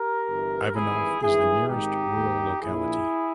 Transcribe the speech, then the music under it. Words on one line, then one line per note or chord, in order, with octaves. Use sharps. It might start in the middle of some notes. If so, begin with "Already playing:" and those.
Ivanov is the nearest rural locality.
Already playing: G4 A#4
G1 G2 E3
G#1 G2 E3 E4 G#4
G#1 G2 E3 E4 G#4
G#1 G#2 D#3 D#4 G4
D#2 D#3
A#1 A#2 E4 G#4